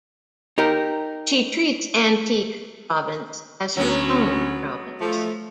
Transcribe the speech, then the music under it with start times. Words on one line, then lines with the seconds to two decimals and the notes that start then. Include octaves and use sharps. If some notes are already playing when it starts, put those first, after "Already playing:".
She treats Antique province as her home province.
0.58 D#4 G4 A#4
3.77 D2 F#3 B3 C#4
5.00 F3 A3